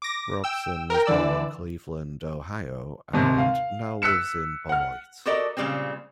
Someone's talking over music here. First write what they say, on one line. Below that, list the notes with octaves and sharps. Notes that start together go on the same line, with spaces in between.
Robson was born in Cleveland, Ohio and now lives in Beloit.
D6 A#6
G5 E6
A#4 G5
D3 E3 D5 E6
D#2 G#2 C3
F5
E6 F#6 B6 C#7 E7
F#5 F6
F#4 G4 A4 A#4 D5 D#5
A#2 C#3 G3 G#3 C4